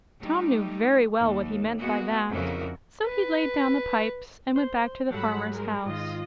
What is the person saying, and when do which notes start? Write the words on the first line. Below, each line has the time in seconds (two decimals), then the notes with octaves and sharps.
Tom knew very well what he meant by that, so he laid down the pipes, and went back to the farmer's house.
0.20 G3 A3 D#4 G4
1.19 D#2
1.78 G#3 A#3 B3 F#4
2.30 F2 C#3 E4 F#4 A#4
3.05 B4
4.56 C5
5.11 G#2 F#3 G3 A4 F#5 B5
5.49 G#3 G#4 A#4
5.86 G#2 D#3 F4 D#5